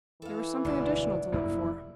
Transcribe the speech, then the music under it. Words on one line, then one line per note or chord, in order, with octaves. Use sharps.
There was something additional to look for.
E3 A4 F5
E1 D2 G2 B3 D4
F1 F#2 A#3 E4